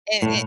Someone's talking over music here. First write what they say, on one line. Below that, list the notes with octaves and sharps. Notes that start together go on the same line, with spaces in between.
and and
A2